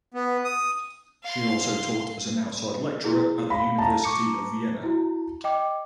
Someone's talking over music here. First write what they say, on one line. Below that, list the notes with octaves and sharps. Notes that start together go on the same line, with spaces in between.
She also taught as an outside lecturer at the University of Vienna.
B3
D#6
F5 C6
E4 G#4
F5 B5
A5 A#5
C#6 D6 C#7
E4 F#4
D#5 G5 D6